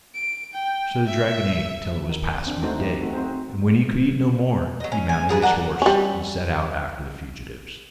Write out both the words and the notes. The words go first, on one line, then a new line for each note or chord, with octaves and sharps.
So the dragon ate till it was past mid-day, and when he could eat no more he mounted his horse and set out after the fugitives.
D7
G5
E5
D#3
C4 D4
A3 D#4 F#4 C5
E3 G4
A3 C4 D#4 F#4
C4 F#4 G#4 C5
F#3 D#5
C#4
G#5
F4 G#4 A#4 B4
D4 F#4 A#4 A5
G3 C#4